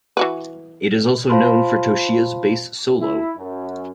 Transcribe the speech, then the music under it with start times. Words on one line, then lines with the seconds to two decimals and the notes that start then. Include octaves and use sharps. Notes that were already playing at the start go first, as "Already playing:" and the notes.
It is also known for Toshiya's bass solo.
0.17 E3 F#4 B4
1.30 F4 C5 F5 A5 B5 C6
3.00 E4
3.38 F#2